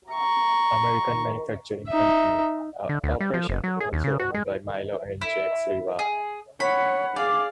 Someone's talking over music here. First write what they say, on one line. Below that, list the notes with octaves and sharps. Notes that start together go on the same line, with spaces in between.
American Manufacturing Company, a operation also owned by Milo and Jacques Revah.
A#5 C#6
D#4 E5
D3
D2
G3
F3
F#1
F#3
G#4
D#2
C#3
F#4
G#3
E4
G#4
C#5 F#5 B5
G#4 D5 F5